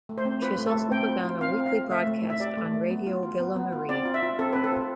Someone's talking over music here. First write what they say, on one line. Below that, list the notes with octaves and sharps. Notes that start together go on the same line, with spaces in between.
She has also begun a weekly broadcast on Radio Ville-Marie.
A3
C5
C4
F4 B4
A3
A4
A3
C4 G5
F4
F4
C4 F5
C4
F5
F4
A3 E5
A3
E4
E5
G4 D5
A3
A3
B3
F4
F4
B3
B3
F4
C4 D5
F4
E5
F4
C4 A4
C4 B4
A4
F4